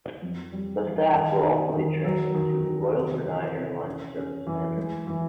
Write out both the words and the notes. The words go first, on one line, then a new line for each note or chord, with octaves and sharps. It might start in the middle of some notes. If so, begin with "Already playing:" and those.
The staff will also be trained to Royal Brunei Airlines service standards.
F2
G3
E3
D#3
D#4
D#3
F#3
D#3
D#3
C3
E3
C3
C#4
C#4
E3
G#3
E3